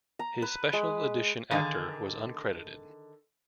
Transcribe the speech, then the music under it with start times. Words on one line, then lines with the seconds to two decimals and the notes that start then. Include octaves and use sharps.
His Special Edition actor was uncredited.
0.19 A#5
0.42 B4
0.73 G#3
1.51 D3 D#3 G#4 F5